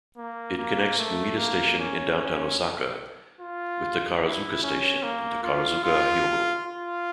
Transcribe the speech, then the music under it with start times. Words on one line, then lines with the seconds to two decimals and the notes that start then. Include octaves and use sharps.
It connects Umeda Station in downtown Osaka with Takarazuka Station in Takarazuka, Hyogo.
0.17 A#3
0.57 A#3
0.98 A3
1.38 A#3
1.79 C#4
2.19 C#4
3.40 F4
4.22 E4
4.63 C#4
5.03 A#3
5.43 F4
5.84 F4
6.65 F4